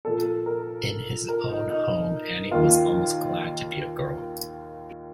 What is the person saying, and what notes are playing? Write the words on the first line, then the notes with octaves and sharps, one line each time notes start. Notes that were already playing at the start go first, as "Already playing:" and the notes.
In his own home Annie was almost glad to be a girl.
A#2 F3 A#3 A4
A#4
A#4
D#4
D#4
D#2 D#3 A#3 F4